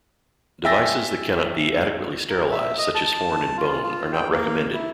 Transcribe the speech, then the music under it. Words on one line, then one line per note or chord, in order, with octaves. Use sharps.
Devices that cannot be adequately sterilized such as horn and bone are not recommended.
E5 G5 G#5 E6 A6 A#6
A#4
E5
D#5
A5
F4
F4
G5
A#3
E4